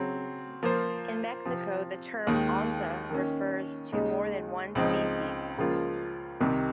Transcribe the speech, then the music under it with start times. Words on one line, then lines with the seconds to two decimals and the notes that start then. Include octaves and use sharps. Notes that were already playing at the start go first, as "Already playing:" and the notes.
In Mexico the term "onza" refers to more than one species.
Already playing: C#3 F#3 C4
0.63 F3 A#3 F4 C5
1.45 C3 F3 C4
2.27 D#2 D#3 G#3
3.10 D#3 A#3 C#4
3.92 D#2 C#3 G#3 D#4
4.75 C#2 C#3 F3 C4 D#4
5.58 C#2 C#3 F3 A#3 F4
6.40 C2 C3 D#3